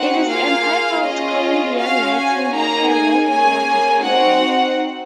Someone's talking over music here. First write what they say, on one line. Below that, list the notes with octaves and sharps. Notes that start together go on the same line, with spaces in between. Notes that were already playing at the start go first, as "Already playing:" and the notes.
It is entitled Columbia Knighting Her World War Disabled.
Already playing: C4 D#4 F#4 F#5
A#3 F4 G#4 F5
C#4 F4 G#4 D#5
C#4 F#4 F5
G#5
A#3 D#4 G#4 A#5
G#5
A#3 C#4 G#4 G#5
C4 D#4 F#4 F#5